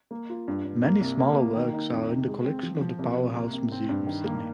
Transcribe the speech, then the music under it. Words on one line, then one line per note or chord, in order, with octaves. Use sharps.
Many smaller works are in the collection of the Powerhouse Museum, Sydney.
A#3
F4
G2
G2
A#3
C2
A#3
A#3
D#3
D#4
F2
C3
G#3
C4
F3
F3
C2
C2
A#3
C3
C4
G2
D#3
A#3